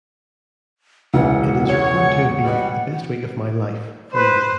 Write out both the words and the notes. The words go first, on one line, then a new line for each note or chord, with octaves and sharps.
It is reported to have been "the best week of my life" for many.
E1 C#2 E3 F#5
C#5
B2 G3
B4 C5